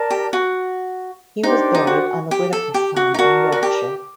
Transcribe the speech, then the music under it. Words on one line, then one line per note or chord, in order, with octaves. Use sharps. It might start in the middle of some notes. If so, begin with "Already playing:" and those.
He was buried on the Whitakers' farm in Yorkshire.
Already playing: A#4 D5 A5
G4
F#4
D4 D#4 G4 C5 G5
D#4
F#4
G4
A4
G4
F#4
D#4
F#4 A#4 D5 A5
F#4
G4